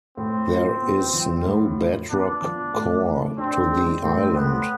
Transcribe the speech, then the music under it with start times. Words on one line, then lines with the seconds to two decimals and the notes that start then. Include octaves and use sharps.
There is no bedrock core to the island.
0.17 A2 C4
0.50 F4
0.82 B3
1.14 F3
1.46 A2
1.78 F4
2.11 B3 D4
2.42 F3
2.74 A2
3.07 A4
3.38 C4 D4
3.71 G#3
4.03 A2 C4
4.34 B3 A4